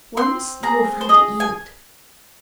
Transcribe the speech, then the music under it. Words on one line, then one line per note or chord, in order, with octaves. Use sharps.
Once you will find it yield.
C4 C6
G#4 A#5
C5
G#4 D#5
G#5